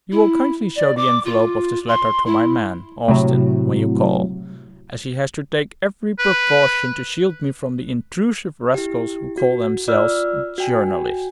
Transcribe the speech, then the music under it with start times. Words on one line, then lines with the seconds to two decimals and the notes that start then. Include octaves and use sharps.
You will kindly show the envelope of this letter to my man, Austin, when you call, as he has to take every precaution to shield me from the intrusive rascals who call themselves 'journalists.'
0.11 E4
0.75 D5
0.97 D6
1.25 F4
1.88 C6
2.26 E4
3.08 A2 C3 F#3
6.19 B4
8.74 E4 G4
9.38 F#4
9.88 F4 D5 E6 F6
10.58 F#4 G5 G#5